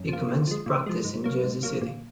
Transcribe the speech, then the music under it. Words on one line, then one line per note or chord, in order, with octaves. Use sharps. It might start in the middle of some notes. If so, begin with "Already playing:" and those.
He commenced practice in Jersey City.
Already playing: F#2
F3 A#3
A#2
F3 G#3
A#2
F3 G#3
G#2
F#3 A#3
G#2
F#3 A#3
A#2